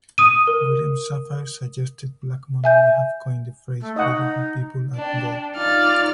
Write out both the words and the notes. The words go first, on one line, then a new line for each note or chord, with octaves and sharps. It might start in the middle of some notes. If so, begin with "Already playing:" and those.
William Safire suggested Blackmon may have coined the phrase "beautiful people" at "Vogue".
D#6 D#7
A#4
E5 G#5 G6
A3
D#4 D#5 F#5
D4 G5
D#4 F4 D5 F6 A6